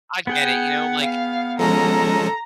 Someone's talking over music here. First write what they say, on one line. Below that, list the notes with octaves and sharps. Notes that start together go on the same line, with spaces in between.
I get it, you know? Like,
B3 G#4 F#5 G5
F5
F3 G#3 C#4 A4 A#5